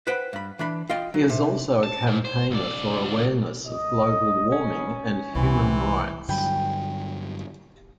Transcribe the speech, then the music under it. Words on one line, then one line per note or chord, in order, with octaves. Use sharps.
He is also a campaigner for awareness of global warming and human rights.
B4 C5 F#5 G5 B5
G2 B5
E3 D4 B5
F4 D#5 G5
F#3
C3
A5
G#2
C5
C#2 D5
D#5
C#4
C2 E3 C4 F#4 B5
G2 D3 F#3 G5 G#5 B5